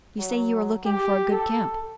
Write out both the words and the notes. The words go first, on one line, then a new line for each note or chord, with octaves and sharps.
You say you are looking for a good camp.
F#3
G4
A4